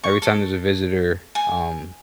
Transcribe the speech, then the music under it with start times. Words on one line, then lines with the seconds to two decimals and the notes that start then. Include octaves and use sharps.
every time there's a visitor, um,
0.04 C#6
0.22 A4
1.35 G#5